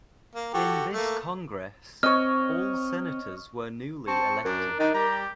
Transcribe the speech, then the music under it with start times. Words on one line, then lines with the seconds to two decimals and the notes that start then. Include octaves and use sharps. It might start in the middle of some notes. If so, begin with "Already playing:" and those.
In this Congress, all Senators were newly elected.
0.35 A#3
0.54 F#4 G4 A4
0.93 A3 A#3
2.03 C4 C#5 D#5 F6
4.07 C4 A5 C#6
4.45 F#2 D4 A#4
4.80 D#3 D4 D#4
4.94 G3 G4 A#5